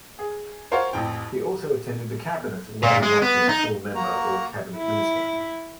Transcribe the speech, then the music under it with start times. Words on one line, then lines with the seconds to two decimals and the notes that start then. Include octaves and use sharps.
He also attended the Cabinet, although not as a full member or Cabinet Minister.
0.19 G#4
0.71 F4 F#4 A#4 C5 C#5 F5
0.93 A1 F2 G5
2.83 A#2
3.03 G#3
3.22 B3
3.49 D#4
3.95 A#3 F#4 A#5
4.78 E4